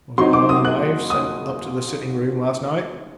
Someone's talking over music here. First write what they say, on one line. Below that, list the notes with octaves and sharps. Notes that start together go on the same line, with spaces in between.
"Was it one of the knives sent up to the sitting-room last night?"
F#3 C4 D#4 C6
D6
D#6
F#6
D#6